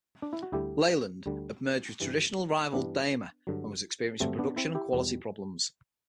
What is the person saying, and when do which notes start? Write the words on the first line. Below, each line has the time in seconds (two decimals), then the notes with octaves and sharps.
Leyland had merged with traditional rival Daimler and was experiencing production and quality problems.
0.22 D4
0.33 E4
0.43 F#4
0.52 D2 D3 G3 E4 G4
1.26 D2 D3 G3
2.00 G2 E3 G3
2.73 G2 E3 G3 B3 D4
3.47 G2 D3 F#3
4.20 G2 D3 F#3 A3 C4
4.39 B3 D4
4.56 C4 E4
4.75 E4 G4
4.93 E2 B2 G3